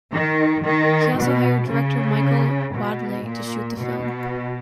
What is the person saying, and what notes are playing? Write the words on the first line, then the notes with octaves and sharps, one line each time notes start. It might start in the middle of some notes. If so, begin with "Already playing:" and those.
He also hired director Michael Wadleigh to shoot the film.
D#3
D#3
B2
C#3
B2
A#2
B2